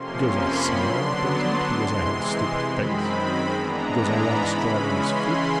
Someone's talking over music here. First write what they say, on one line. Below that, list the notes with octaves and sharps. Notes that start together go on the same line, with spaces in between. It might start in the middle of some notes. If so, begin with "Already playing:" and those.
Because I smell unpleasant, because I have a stupid face, because I once trod on his foot.
Already playing: F2 C3 F3 A#3 C#4 C6
B5
D3 F#3 B3 D4 C6
C6
C3 E3 G#3 C6
F#2 D#3 G#3 C4 B5
G#2 E3 G#3 B3 D4 A#5
B5
C#3 E3 G#3 C#4
C6